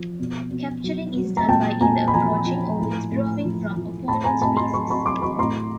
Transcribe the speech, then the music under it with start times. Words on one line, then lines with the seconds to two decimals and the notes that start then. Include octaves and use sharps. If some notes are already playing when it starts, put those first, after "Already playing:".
Capturing is done by either approaching or withdrawing from opponent's pieces.
Already playing: F3
0.19 B2
0.51 B2
0.84 F#3
1.17 F#3
1.37 A#5
1.48 A#2 G5 A5
1.81 A#2 G#5 A#5
2.08 B5
2.14 F3 G#5 A#5
2.46 F3
2.79 A2
3.12 A2
3.44 F3
3.76 F3
4.08 A2 A5 B5
4.24 G#5 A#5
4.41 A2 A5 B5
4.57 A#5 C6
4.73 F#3 B5 C#6
4.90 B5 C#6
5.06 F#3 C6 D6
5.22 B5 C#6
5.38 A2 A#5 C6